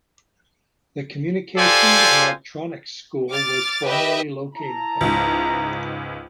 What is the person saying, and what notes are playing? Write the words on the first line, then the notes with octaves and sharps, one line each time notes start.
The Communications and Electronics School was formerly located there.
F4 G4 A4 C5 D5 G#5
D6 F6 A6
G4 B4 D#5 E5
E4 A5 A#5
C#2 G#2